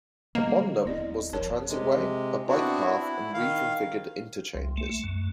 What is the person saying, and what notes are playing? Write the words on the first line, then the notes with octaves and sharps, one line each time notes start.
Among them was the transitway, a bike path and reconfigured interchanges.
D3 F#3 G3 A#3 D#5
D#1 B3 C4 E4 D5 D#5
G1 F2 A#4 C#5 A5
C3 G#3
B3 C4 D4 E4 F#4
E4
D#3 F5
C2
A3
F#2